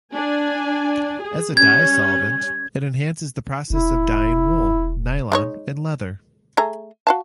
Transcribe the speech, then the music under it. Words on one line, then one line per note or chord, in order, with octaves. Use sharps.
As a dye solvent, it enhances the process of dying wool, nylon, and leather.
D4 G#5
G#4
G3 C#4 G#6
E1 E4
G#3 D#4 C#5
A3 G#4 A#5
F#4 F5 A5